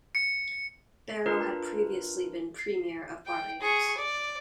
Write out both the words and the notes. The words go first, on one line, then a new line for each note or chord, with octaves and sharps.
Barrow had previously been Premier of Barbados.
C#7
D4 F4 A#4 B4
C7
G5
G#4 C#6
D5